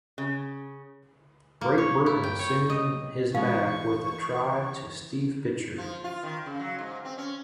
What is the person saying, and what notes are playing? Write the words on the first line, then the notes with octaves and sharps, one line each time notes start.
Great Britain soon his back with a try to Steve Pitchford.
C#3
A#3
C#5
E4
G5
C#5
D#5
B2 E3 G#3 F5 C#6
F3
F4
D#3
C#3
F#3
G#2
C4
C#4